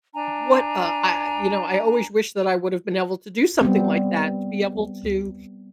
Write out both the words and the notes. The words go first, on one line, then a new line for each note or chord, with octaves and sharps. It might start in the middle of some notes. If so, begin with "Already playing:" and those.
what, uh, I you know, I always wish that I would've been able to do something like that, to be able to,
D4 G#5 A#5
G3 B3 C4